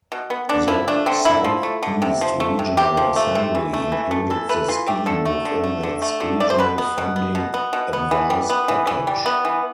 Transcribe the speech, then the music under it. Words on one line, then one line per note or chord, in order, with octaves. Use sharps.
The South East Regional Assembly included the scheme within its Regional Funding Advice package.
B2
B3
D3 D4
F3 E4
A3 D4
D3 C4
D3 E4
F3
A3
D3
C3
F3
A3
C3
C3 G4
F3
A3
C3
E3
A3
E3
A3
E3 A4
A3 B4
E3 F4
A3 G4
D3 A4
A3
D3
A3
D3
A3
D3
A3 D5
C5
B2 B4
B3
B2
B3
B2
B3
B2
B3
E3
G3
B3
E3
E3
G3
B3
E3